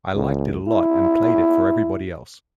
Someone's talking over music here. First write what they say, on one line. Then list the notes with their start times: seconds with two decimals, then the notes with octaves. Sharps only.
I liked it a lot and played it for everybody else.
0.15 C#2
0.68 E4